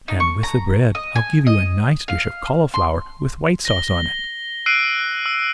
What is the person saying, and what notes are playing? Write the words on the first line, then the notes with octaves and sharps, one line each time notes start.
"And with the bread, I'll give you a nice dish of cauliflower with white sauce on it."
D#4
C#6
A#5
D#5
G#5
D#5
F5
C6
A#6 G7
E6 F#6 C7 D7 D#7
E6